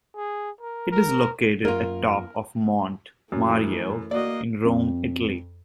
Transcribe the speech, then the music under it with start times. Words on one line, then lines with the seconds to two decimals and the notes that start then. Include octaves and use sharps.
It is located atop of Monte Mario in Rome, Italy.
0.16 G#4
0.61 A#4
0.91 A#4
1.65 F#2 A#3 F4 A#4
3.32 F#2 E3 A3
4.11 A#3 F#4 D5 D#5
4.65 F2